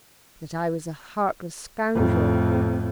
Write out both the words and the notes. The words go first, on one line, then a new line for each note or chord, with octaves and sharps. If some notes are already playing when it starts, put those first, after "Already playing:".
"That I was a heartless scoundrel."
F2 A2